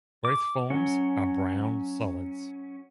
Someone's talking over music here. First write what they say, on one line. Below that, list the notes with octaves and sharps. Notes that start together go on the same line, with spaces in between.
Both forms are brown solids.
D6
F#3 C#4